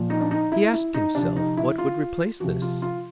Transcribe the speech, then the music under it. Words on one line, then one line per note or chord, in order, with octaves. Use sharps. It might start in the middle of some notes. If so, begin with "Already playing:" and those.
He asked himself what would replace this.
Already playing: A#2 F3
D#4
D4
D#4
E4
E4
D#4
C3 F3 D4
D#4
E4
F4
C3 F3 F#4
F4
F4